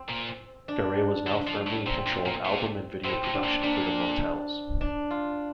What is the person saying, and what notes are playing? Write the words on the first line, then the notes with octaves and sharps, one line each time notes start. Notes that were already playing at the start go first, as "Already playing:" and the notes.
Garay was now firmly in control of album and video production for The Motels.
Already playing: C4
A#2
D4
D3
F3
A2
A#2 C4
A#2
A#2
A#2
A2 C4
A2
D4
A#2
A#2 D4
D4
F4